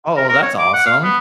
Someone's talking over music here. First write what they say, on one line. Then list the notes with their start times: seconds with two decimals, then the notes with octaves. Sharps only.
Oh, well that's awesome.
0.17 A#4
0.29 A#4
0.43 C#5
0.58 D6
0.73 F#5
0.86 F5
1.04 B3